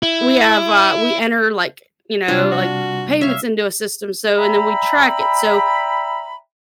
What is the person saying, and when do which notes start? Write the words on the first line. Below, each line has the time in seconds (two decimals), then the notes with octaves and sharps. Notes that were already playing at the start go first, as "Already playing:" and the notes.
we have, uh we enter, like, you know, like, payments into a system, so, and then we track it, so
0.03 E4
2.28 C3 G3 C4 D4 F4
2.51 F#4
3.21 C#5 E5 F5
4.38 D5 E5 G5 A#5 B5